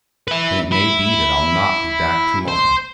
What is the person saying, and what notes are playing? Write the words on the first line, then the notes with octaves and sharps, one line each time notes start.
"And it may be that I'll not be back to-morrow."
B4 E5
E4
C5